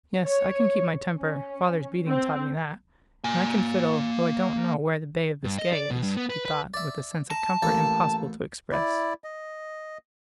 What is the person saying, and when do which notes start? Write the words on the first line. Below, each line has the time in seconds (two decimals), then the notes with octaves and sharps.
"Yes, I can keep my temper father's beating taught me that; and I can fiddle, though I don't know where the Bay of Biscay is," he thought, with a sense of comfort impossible to express.
0.24 C#5
1.18 C#4
2.08 C4
3.24 A#3 G#5
5.44 G2
5.58 D#5
5.73 D5
5.90 B2
6.03 G2
6.17 B3
6.30 B4
6.45 B4
6.74 D5 E5
7.30 A5 A#5
7.63 A1 A#3 A4
8.72 E4 D5
9.24 D#5